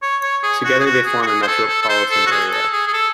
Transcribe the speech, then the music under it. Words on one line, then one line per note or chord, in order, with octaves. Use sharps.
Together they form a metropolitan area.
C#5
C#5
G#4
F#4
G#4
F#4
G#4
F#4
G#4
C5
A4
A4
A4
C5
A4
F#4
G#4
A4
G#4
G#4
A4